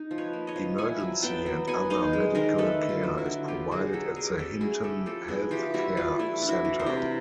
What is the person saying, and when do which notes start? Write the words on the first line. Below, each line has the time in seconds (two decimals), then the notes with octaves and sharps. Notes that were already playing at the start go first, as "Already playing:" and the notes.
Emergency and other medical care is provided at the Hinton Healthcare Centre.
Already playing: D#4
0.11 F3
0.18 B4 C#5
0.33 A#3
0.47 C#5 D#5
0.56 F3
0.78 E4 F#5 G#5
1.00 F#3
1.22 B3 G5 A5
1.46 F#3
1.67 B3 F#5 G#5
1.90 D#4 D#5 F5
2.13 G#3
2.35 D#3 A#4 C5
2.58 A3 A4 B4
2.81 D3
2.89 F4
3.03 F#3
3.18 E4 F#4
3.25 D3
3.48 B3 F4 G4
3.71 B2 F#4 G#4
3.93 F#3 G4 A4
4.16 B2 G#4 A#4
4.38 C#4 G4 A4
4.61 E4 F#4 G#4
4.83 A3 G4 A4
5.06 F3 G4 A4
5.28 B3 F#4 G#4
5.51 E3 F4 G4
5.74 G3 E4 F#4
5.97 E3 F4
6.19 A3 E4
6.42 D4
6.49 E4 F#4
6.65 E3
6.79 A#4 C5
6.86 C3